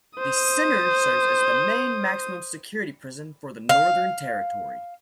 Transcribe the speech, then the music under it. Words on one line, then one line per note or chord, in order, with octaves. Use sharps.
The centre serves as the main maximum security prison for the Northern Territory.
C5 D#6
F5